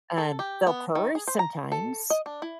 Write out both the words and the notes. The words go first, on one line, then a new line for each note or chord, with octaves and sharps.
Um, they'll purr sometimes
A4
G4
B3
D#3
G#4
C5
A#5
A4
D#5
D4
E4